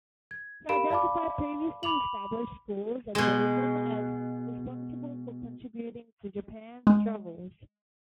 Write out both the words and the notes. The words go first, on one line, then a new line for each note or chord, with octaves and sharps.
He identified previously established schools of Buddhism as responsible for contributing to Japan's struggles.
G#6
G4 A#4 F5 B5 D7 E7
D5 F5 A5 B5 D6
B5 D6 F7 F#7
B2 G#3
G#3